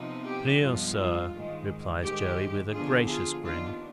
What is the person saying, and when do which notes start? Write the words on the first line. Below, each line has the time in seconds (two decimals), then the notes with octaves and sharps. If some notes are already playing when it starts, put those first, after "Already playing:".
"Clear, sir," replies Joey, with a gracious grin.
Already playing: C3 F3 B3 D#4
0.26 G4
0.61 G2 F3 G#3 B3 F4
0.97 F4
1.32 G#2 D#3 G#3
2.02 G#2 D#3 G#3 G4
2.73 D3 F3 B3 D4 F4 G#4
3.09 F4 G#4
3.44 D#2 D#3 B3 D4 F4